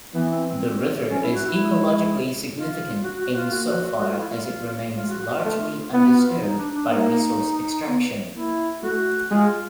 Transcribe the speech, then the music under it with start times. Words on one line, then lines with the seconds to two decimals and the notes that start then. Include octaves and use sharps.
The river is ecologically significant insofar as it remains largely undisturbed by resource extraction.
0.14 E3 B3
0.30 C4
0.46 C4
1.10 F#3 C#4
1.22 E4
1.35 F#4
1.47 E4
1.58 G#3
2.55 F4
3.03 F#4
3.20 F#4
3.36 F4
3.51 A#3 F#4
4.00 A3 F#4
4.10 F4
4.18 E4
4.28 F4
4.97 G#3 F4
5.09 F#4
5.21 F#4
5.33 F4
5.44 A3 F4
5.93 B3 E4
6.06 F#4
6.17 F4
6.30 E4
6.41 D#4
6.58 D4
6.74 D4
6.89 A#3 D#4
7.87 B3
8.35 A#3 E4
8.83 A3 F#4
9.31 G#3 F4